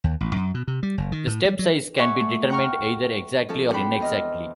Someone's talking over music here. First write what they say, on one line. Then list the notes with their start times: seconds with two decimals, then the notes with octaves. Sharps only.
The step size can be determined either exactly or inexactly.
0.04 D#2
0.21 A1
0.36 F#2
0.54 B2
0.68 C3
0.83 G3
0.98 F#1
1.12 D#3
1.27 A2
1.45 G3
1.59 F#3
1.97 D5 E5 F#5 G#5 C#6
2.20 A3
2.50 F#5 G5 A#5 C#6 F6
3.49 F3 C#4 F4 A4
3.71 C4 D4 F#4 C5 G5 B5
4.00 E2 D#5 F6